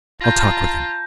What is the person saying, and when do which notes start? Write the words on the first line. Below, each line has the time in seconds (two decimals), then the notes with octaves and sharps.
I'll talk with him.
0.21 F4 A5 A#5 G6 A#6